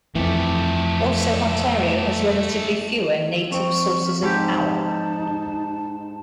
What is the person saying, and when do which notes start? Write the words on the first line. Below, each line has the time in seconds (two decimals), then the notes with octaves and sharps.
Also, Ontario has relatively fewer native sources of power.
0.15 F2 E3 A3 G4
3.51 F2 C4 C#6
4.22 G#2 D#4 G4 A5